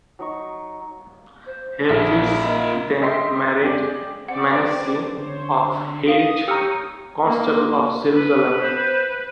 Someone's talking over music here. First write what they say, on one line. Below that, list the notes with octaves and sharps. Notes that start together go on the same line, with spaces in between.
Helvis then married Manasses of Hierges, Constable of Jerusalem.
F#3 D#4 C#6
C5
A#1 F4 G#4 E5
A#3
A#4 D#5
D#5 E5 G5 C6 B6 C7
G#3 C4 G4 G#4 D5
C4 D5 F#5
B4
D3 C5 C#5
F5 D#6 D7
G4 C#5 G5 A#5 C#6 E6 F6 C#7
A#3
B4
C5